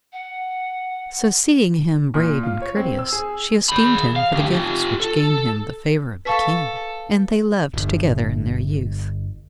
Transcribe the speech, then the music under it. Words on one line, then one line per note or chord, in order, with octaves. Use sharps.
So seeing him brave and courteous, she esteemed him for the gifts which gained him the favour of the King, and they loved together in their youth.
F#5
A#2
F4
C#5
C4
E6
G#4
G#4 B5
F5
D2 G4
F4 G4
A4
A4 B4 F5 A5 C#6 B6
D1 G1